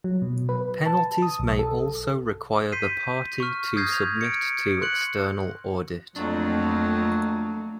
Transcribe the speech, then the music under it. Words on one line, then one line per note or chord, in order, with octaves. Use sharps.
Penalties may also require the party to submit to external audit.
F#3
B2
B4
A5
D#6
B1
A4
C6 G6 B6 C7 D#7
C#6 F6
D#6 F6 G6 G#6 A#6 C7
F7
C#7 D7
C6 F#6 C#7 F#7
F2 F#3 A3 A#3 D4